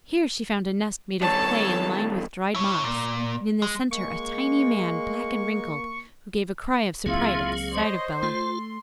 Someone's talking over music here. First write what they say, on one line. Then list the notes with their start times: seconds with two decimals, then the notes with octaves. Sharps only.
Here she found a nest made of clay and lined with dried moss, and in the centre a tiny man, black and wrinkled, who gave a cry of surprise at the sight of Bellah.
1.21 G2 D#3 A4 C#5 A5
2.55 E4 C#5
2.83 A#2
3.62 G#3
3.91 G#3 A#3 C#6
7.06 C#2 F#3 A#3 C4 E4 F4 G#4
7.38 F5
7.71 C5 C#5 D#5
8.23 A3 F4 C6